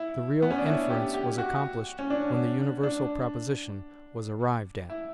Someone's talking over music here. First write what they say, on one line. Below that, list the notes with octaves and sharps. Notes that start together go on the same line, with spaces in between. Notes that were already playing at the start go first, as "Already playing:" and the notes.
The real inference was accomplished when the universal proposition was arrived at.
Already playing: E4
B3
C#4
D4
E4
G4
G4
F#4
C#4
D4
D4
E4